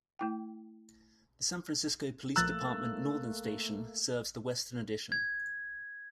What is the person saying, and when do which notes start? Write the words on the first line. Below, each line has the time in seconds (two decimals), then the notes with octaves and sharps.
The San Francisco Police Department Northern Station serves the Western Addition.
0.19 A3 E4 G5
2.36 A#1 F3 A3 A#3 A#4 E6 F#6 A6
5.12 G#6